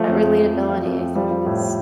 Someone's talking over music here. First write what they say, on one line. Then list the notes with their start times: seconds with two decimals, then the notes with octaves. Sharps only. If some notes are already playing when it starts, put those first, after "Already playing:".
That relatability, I think, is
Already playing: F3 A3
0.08 F2
0.23 F2
0.39 F2
0.54 F2
0.69 F3
0.85 F2
1.00 F2
1.15 F3 G3
1.31 F3
1.46 A2
1.61 F3